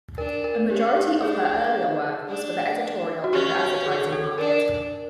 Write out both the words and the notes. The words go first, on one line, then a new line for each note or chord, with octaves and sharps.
A majority of her earlier work was for the editorial and advertising market.
D4 A#4
A#4
C#4 G4
G4
D4 G#4
D4
F#4
C#4 G4
F#4
F#4
G#4
A4
D4 A#4